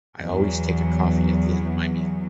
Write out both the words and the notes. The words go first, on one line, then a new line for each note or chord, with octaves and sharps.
I always take a coffee at the end of my meal.
E2 F#3